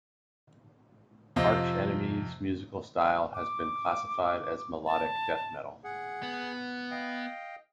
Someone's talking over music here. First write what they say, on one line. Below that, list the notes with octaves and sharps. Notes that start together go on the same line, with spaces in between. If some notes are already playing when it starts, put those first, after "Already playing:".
Arch Enemy's musical style has been classified as melodic death metal.
F2 C3 C4 F4 D#5
D6
A5
G#4 F#5
B3
D#5 F5 G5